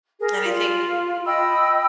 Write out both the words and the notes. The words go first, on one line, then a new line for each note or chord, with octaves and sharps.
and I think
G#4 A#4
F4
D#5 G5 B5 E6